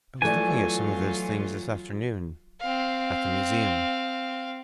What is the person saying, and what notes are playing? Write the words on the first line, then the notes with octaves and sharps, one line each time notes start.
"I was looking at some of those things this afternoon, at the Museum."
E3 F#3 A3 F4 D5 G#5
C4 F5